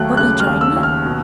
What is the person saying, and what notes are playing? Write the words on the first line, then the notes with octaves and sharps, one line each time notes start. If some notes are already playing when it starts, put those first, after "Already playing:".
Won't you join me?
Already playing: D#2 F#3 A3 F#6
C#3 F#6
F6
D#2
E6
D#2
F6
B2